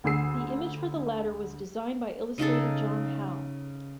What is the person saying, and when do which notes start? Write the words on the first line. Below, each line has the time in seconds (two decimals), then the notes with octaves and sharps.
The image for the latter was designed by illustrator John Howe.
0.04 D2 D3 G#4 E6 C7
2.38 C#3 D#4 G#4 A4